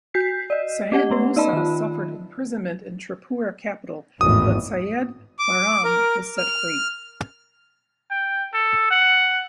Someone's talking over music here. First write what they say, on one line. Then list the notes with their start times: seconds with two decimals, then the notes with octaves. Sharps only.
Syed Musa suffered imprisonment in Tripura capital but Syed Bairam was set free.
0.14 F#4 G6 B6 C7
0.50 D5 D#5
0.92 C#4 G4 F#5
1.10 A3 B3 B4
1.36 D#4 D5 D#5 A5 B5
1.53 D#3 F4
4.21 G#1 E2 A2 D#6
5.39 D6
5.84 A#4
6.38 F6
8.11 G5
8.54 A4
8.90 F#5